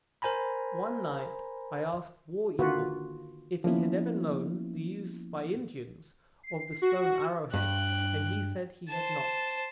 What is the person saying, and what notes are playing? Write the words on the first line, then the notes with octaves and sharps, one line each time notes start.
One night I asked War Eagle if he had ever known the use, by Indians, of the stone arrow-head, and he said he had not.
A#4 C5 G#5 A#5 B5
D3 D#3 A#3 F4 F#4 B4
F3 A#3 B3 C#4 E4
C7
F#4
G2 G5 F#6
C5 A5